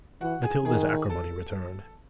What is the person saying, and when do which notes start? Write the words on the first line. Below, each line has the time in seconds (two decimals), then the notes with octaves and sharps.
Matilda's acrimony returned.
0.21 E3 F#4 F#5
0.43 G#4 G#5
0.65 D#3 G#4 G#5
1.10 A4 A5